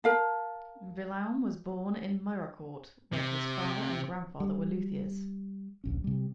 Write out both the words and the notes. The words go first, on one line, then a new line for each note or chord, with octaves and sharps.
Vuillaume was born in Mirecourt, where his father and grandfather were luthiers.
A#4 F5 A5
C3
G3
D1 A#1 C#4
C3 G3